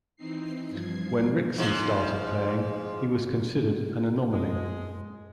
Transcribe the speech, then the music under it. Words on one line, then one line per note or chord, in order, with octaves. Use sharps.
When Rixey started playing, he was considered an "anomaly".
E3 C4 D#4 C7
G2 F3 G#6 C7
G#2 F3
F#2 G#3